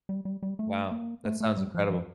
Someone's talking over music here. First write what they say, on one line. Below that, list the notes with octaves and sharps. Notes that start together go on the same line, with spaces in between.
Wow, that sounds incredible.
G3
G3
G3
A3
A#3
A3
A3
G3
F3
F3